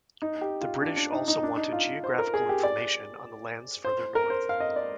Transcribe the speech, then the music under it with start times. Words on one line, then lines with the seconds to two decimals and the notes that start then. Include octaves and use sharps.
The British also wanted geographical information on the lands further north.
0.22 D#4
0.41 G4
0.61 F4
0.82 D4
0.97 D4
1.13 D#4
1.28 D#4
1.43 D4
1.57 D#4
1.72 F4
2.04 C5
2.18 A#4
2.34 G#4
2.49 G4
2.63 D5
3.85 C5
4.15 A#4
4.30 C5
4.49 F5
4.60 D#5
4.76 D5